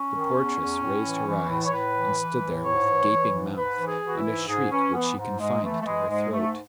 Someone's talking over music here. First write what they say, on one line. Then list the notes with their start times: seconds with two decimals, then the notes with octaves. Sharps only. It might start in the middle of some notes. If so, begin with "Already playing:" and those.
The portress raised her eyes, and stood there with gaping mouth, and a shriek which she confined to her throat.
Already playing: C#4
0.12 D#3
0.35 E2
0.58 E2
0.81 A2
1.04 E3
1.26 E3
1.49 A2
1.65 C#5
1.72 A2 B4
1.95 E3
2.18 E3
2.41 A2
2.64 G#2 C#5
2.87 E3
3.10 E3
3.33 G#2
3.56 G#2 B4
3.79 E3
3.86 G#4
4.02 E3 F#4
4.17 E4
4.25 G#2
4.48 G#2 G#4
4.71 E3 C#4
4.93 E3 B3
5.16 G#2
5.39 G#2 G#3
5.62 E3 A3
5.81 A3
5.85 E3 G#3
6.08 G#2 G#3
6.31 G#2 A3